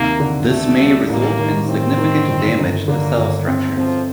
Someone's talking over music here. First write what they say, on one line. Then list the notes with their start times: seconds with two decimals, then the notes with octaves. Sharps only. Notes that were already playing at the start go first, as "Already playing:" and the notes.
This may result in significant damage to cell structures.
Already playing: D#2 C3 A#3
0.20 D3
0.49 D3 A3
0.80 G3
1.09 A1 A#3
1.39 D#3
1.68 A1 C4
1.98 D#3
2.27 G1
2.58 G1
2.88 D3 A#3
3.17 G1
3.47 C4
3.77 F3 C4